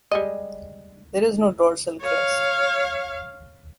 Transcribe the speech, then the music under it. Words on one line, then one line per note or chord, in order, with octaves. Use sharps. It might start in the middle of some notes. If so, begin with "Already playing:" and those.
There is no dorsal crest.
G3 G#3 D#5
C#5 F5